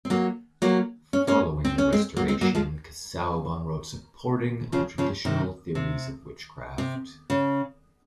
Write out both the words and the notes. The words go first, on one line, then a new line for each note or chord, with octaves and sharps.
Following the Restoration, Casaubon wrote supporting the traditional theories of witchcraft.
C4
F#3 A#3
F#3 A#3
C#4
A#3 C#4
C4
C#4
G#3 C4
F#3 A#3
G#3 C4
F#3 A#3
F3 G#3
C#3 F3
C#3 F3
C3 D#3
C3
C3
C#3